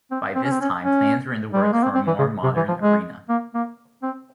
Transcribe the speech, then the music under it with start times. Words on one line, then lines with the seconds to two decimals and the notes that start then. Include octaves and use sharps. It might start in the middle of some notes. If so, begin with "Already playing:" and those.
By this time, plans were in the works for a more modern arena.
0.11 C4
0.35 C4
0.44 C#4
0.52 C4
0.61 C#4
0.84 C#4
1.53 G3
1.62 G#3
1.73 A#3
1.83 C4
1.95 C4
2.07 E3
2.19 C#3
2.43 C3
2.57 E3
2.68 F3
2.81 G#3
3.29 A#3
3.55 A#3
4.03 C4